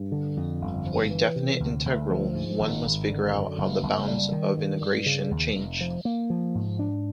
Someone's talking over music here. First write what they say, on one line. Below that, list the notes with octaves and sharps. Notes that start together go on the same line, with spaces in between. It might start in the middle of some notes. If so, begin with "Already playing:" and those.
For a definite integral, one must figure out how the bounds of integration change.
Already playing: G2
D3
F2
G1
F3
E3
C3
D2
D2
F3
G#2
G#1
G#1
D3
F#2
F#1
F#1
G3
D#3
G2
G2
C#3
D#2
F1
F3
A#3
F3
G#2
D4